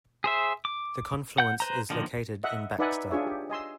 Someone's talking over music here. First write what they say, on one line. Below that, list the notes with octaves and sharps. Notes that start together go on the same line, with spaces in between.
The confluence is located in Baxter.
G#4 C5 E5
D6
F#5 G6
B4 C5 A#5
D3 D#3 F3 A#3
D#5 E5 F#5
D#4 B4 D5 E5 F#5 G#5
D4 F4 G#4 C#5 E5
G4
D#5 G#5 C6 E6